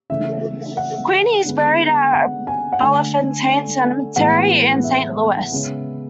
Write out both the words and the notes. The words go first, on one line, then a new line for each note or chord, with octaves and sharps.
Queeny is buried at Bellefontaine Cemetery in Saint Louis.
C#3 E3 A3 E5
F#5
D3 G#3 B3
F#5
G#5
F#5
D3 A3 G#5
A2 E3 G#3 B3 F#5
E5
C#3 G#3 B3